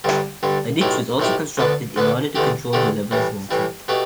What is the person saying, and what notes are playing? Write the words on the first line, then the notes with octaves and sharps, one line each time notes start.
A ditch was also constructed in order to control the level of water.
G2 D3 G3
G2 D3 G3
B1 A2 A3 E4 G4
B1 A2 A3 E4 G4
D2 D3 B3 D4 B4
D2 D3 B3 D4 B4
E2 D3 A3 G4
E2 D3 A3 G4
A2 E3 G3
A2 E3 G3
B2 A3 G4 B4